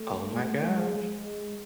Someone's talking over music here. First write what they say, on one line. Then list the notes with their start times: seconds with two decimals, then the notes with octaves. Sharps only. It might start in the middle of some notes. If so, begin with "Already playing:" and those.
Oh my gosh,
Already playing: A3
0.36 G#3
0.42 A3
0.63 A3
0.69 G#3
0.97 G#3